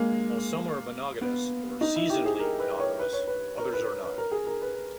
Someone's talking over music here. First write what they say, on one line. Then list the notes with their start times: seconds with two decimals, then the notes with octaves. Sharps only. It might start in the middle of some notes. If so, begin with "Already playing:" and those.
While some are monogamous or seasonally monogamous, others are not.
Already playing: G#3 A#3
1.21 B3
1.81 D#4
1.96 E4
2.10 G4
2.25 G#4
2.39 A#4
2.59 B4
2.80 C#5
2.99 B4
3.13 C#5
3.27 B4
3.58 A#4
3.73 B4
4.03 B4
4.18 A#4
4.32 G#4
4.47 A#4
4.62 B4